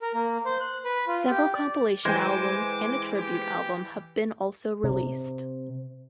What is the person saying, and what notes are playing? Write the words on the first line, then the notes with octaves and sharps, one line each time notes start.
Several compilation albums and a tribute album have been also released.
A#4
A#3
C5
F#6
B4
F4
G4
D5
E3 G#3 C5 G5 G#5 D6 G6
G4
C3